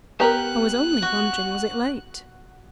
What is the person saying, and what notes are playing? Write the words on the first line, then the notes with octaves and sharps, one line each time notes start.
I was only wondering was it late.
B3 G4 A#4 A#5 F#6
F#4